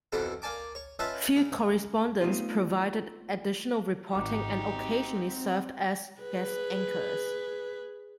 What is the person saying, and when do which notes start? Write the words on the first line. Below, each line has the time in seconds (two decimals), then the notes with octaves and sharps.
Field correspondents provided additional reporting and occasionally served as guest anchors.
0.12 F2 B2 E3 F#4 A4
0.42 A#3 D5 G#5 A5 D6
0.75 C#5
0.99 C#4 F4 B4 D#5 E5 A5
1.36 C#3
2.20 A3 B3 C4 D#4 F4 G4
4.13 G#1 D#3 D#4 F#4 G4 D6
4.73 C4
6.20 G#4 B4